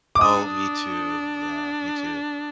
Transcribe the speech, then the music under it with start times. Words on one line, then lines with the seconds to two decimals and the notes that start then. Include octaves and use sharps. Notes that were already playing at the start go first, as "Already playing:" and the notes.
Oh, me too. Yeah, me too.
0.15 D6
0.21 D4 D#6